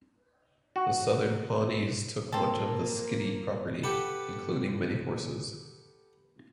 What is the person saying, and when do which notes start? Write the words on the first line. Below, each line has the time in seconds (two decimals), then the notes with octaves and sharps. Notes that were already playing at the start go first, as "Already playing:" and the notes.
The Southern Pawnees took much of the Skidi property, including many horses.
0.76 F#4
2.32 A#3 C4 A4
3.83 G4 A4 B4 F#5 A5